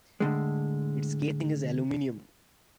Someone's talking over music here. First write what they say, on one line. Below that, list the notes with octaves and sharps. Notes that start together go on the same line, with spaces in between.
Its casing is aluminium.
A2 D3 G#3